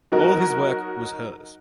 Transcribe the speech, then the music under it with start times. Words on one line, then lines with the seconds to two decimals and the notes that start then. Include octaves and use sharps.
All his work was hers.
0.12 F#3 D#4 F#4 A#4